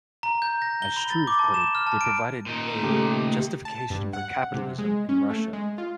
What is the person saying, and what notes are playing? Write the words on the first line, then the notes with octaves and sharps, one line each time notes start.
As Struve put it, they provided a "justification for capitalism" in Russia.
A#5
G6
A#6
G7
B5
A6
D6
A5
E7
F6
A5
D7
A#2 D#3 D#4
C#3 A3 G4
A5
G2
F#5
C3
G#3
C#4
A3
G#3
F4